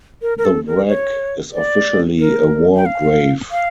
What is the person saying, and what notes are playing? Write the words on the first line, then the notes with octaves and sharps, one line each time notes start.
The wreck is officially a war grave.
A#4
A#4
A4
A#4
C#5
D5
A#4
G5
F5
F5